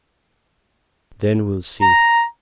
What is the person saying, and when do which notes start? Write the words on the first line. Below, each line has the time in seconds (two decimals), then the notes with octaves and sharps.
Then we'll see.
1.82 A#5